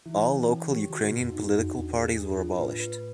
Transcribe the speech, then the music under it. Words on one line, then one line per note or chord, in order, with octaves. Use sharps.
All local Ukrainian political parties were abolished.
E3 E4
E4
C#4
G4
D#3 F#4
D3
A2 B3
F2
D#4
F#2 F#4
F2
E2 D4
G#4
D4
F4
A2 B4
B4